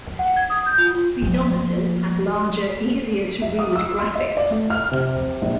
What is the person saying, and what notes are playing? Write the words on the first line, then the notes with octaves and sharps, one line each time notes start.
Speedometers had larger, easier-to-read graphics.
F#5
G#6
D#6
G6
F4
F3 A#3
E5
D#6
E6
C6
D#5
D5
A3
F6
C3
A#1